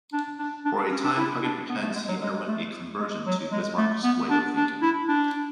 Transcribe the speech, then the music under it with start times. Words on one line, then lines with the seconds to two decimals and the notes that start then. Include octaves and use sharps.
For a time Puckett pretends he underwent a conversion to Bismark's way of thinking.
0.13 D4
0.39 D4
0.65 D4
0.78 D4
0.92 C#4
1.04 D4
1.17 E4
1.44 D4
1.69 B3
1.82 A3
1.96 G#3
2.09 F#3
2.22 G#3
2.48 A3
3.01 G#3
3.27 F#3
3.52 G#3
3.78 A3
4.04 B3
4.30 D4
4.56 D4
4.82 E4
5.08 D4